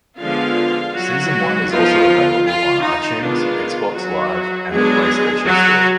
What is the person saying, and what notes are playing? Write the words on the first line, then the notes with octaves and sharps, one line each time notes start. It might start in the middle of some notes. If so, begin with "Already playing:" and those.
Season one is also available on iTunes, Xbox Live, and the PlayStation Store.
D3 F3 G#3 B3 F4 F5
F#3 F#4
F3 B3 D#4 F4
F4
D#4
D#3 G#3 B3 D4 F4
F#3 F#4
F#3 G#3 B3 D4 G#4
F#3 F#4